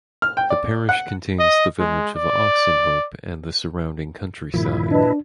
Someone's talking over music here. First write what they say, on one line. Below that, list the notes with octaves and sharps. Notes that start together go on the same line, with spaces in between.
The parish contains the village of Oxenhope and the surrounding countryside.
F6
G5
D5
F#5
D#5
G#3
D5
G2 A#2 D#3 F3 E4
D4 B4 D#5 A5